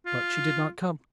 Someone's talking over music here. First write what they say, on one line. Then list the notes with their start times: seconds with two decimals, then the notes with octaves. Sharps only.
But she did not come.
0.06 F4